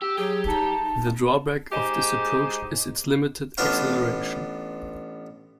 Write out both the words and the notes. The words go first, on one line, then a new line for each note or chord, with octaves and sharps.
The drawback of this approach is its limited acceleration.
G4 E6
F#3 G4 G#4
D#4 A5
G#3 D#4 G4 G#4 C5
A1 B3 D4 F4 F5 C#6